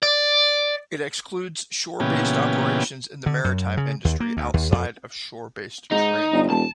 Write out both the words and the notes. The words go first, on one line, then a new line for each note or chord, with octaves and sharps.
It excludes shore based operations in the maritime industry outside of shore based training.
D5
A#2 C#3 E3 B3 C#4 G4
D3
F#2
C#3
D#2
A#3
D2
D#2
F2
G#2 D#4
G1
E1 A5